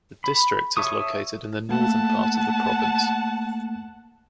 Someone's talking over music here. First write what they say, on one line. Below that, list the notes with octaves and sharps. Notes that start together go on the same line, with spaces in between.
The district is located in the northern part of the province.
B5
C#5 E5 A5 C#6 D#6
A3 A#3 F#5 A5